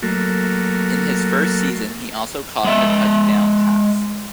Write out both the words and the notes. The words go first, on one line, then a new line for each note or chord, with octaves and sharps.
In his first season, he also caught a touchdown pass.
F#3 A3 A#3
G#3 E5